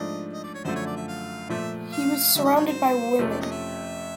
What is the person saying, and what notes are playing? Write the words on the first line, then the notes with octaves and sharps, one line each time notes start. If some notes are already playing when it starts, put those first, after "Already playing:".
He was surrounded by women.
Already playing: G#2 F3 A3 D4 D#5
D#5
D5
C#5
F#2 D3 F3 A3 C5
C#5
D5
E5
F5
A#2 F3 A3 E5
F5
G#2 D#3 F#3 E5
D#5
C#5
C5
F2 C3 F3 A3 C#4
D5
D#5
E5